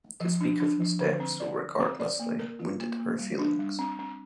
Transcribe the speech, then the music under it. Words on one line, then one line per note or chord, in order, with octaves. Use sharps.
To speak of his death so regardlessly wounded her feelings.
F3
D4
D4
F3
D3
C4
D5
A#4
C4
D5
A#3
A#4
F4
A#3
A#3
G3
D4
G3
C4
C4